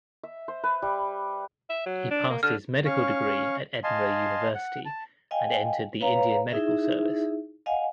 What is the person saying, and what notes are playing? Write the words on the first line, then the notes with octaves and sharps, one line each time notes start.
He passed his medical degree at Edinburgh University and entered the Indian Medical Service.
E5
C5
B4
G3
E5
F#3
D4
A#3
D3 F6
C#4 F5 C#6
D#5 F5 G#5 A5 C6
F#5
A5
D#5 F5 G5 G#5
B4 C#5 F5 A#5
D#4 E4 G#4 E5
D#5 F5 F#5 G#5